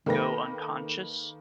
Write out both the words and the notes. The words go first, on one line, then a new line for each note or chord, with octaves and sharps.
go unconscious?
D#3 A#3 A4 B4 G5 A#6